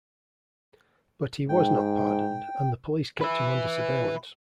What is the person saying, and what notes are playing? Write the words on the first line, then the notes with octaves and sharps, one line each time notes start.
But he was not pardoned, and the police kept him under surveillance.
G#2 G5
B4 E5